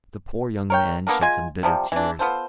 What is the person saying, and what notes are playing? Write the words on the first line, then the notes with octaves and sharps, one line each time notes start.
The poor young man shed some bitter tears.
A#4 C#5 G5
A#3 B3 D4 A#4
G#3 F4 G#5
C3 F3 G3
E3 D4
B3 F4 A4 C5